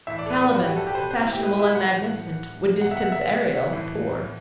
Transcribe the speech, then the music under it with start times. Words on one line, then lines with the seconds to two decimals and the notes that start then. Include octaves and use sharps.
Caliban, fashionable and magnificent, would distance Ariel, poor.
0.07 A2 E3 E5
0.18 D5
0.26 A4
0.31 B4
0.41 A4
0.54 F#4
0.64 G4
0.77 A4
0.87 G4
0.95 C5
0.99 B2 B4
1.11 C5
1.22 E4
1.33 G4
1.45 B4
1.59 E5
1.75 F#5
1.91 A2 E3
2.81 B2 F#5
2.91 E5
2.97 F#5
3.12 E5
3.73 A2 E3